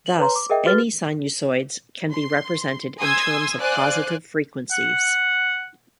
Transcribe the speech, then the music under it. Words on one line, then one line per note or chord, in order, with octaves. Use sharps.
Thus any sinusoids can be represented in terms of positive frequencies.
F#7
B4 C#5 A#5 C6
D6
G#4 A#4 D#5 E5 G5
F#4 G#4 B4 F6 A6 G7
C6
G#5 C6 D#6 E6 G#6
C5 D5 F5 G#5 F#6
F#5